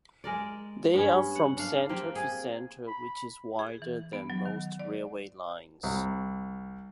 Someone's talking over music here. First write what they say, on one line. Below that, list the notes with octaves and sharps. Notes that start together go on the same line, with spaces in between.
They are from center to center, which is wider than most railway lines.
G#3 A#4 D5
G2 B3 C#4
F#5
D4 F5
A#3 C4 G4
G#4
B5
G#4
E3
B3
F#3
D#3
D5
C2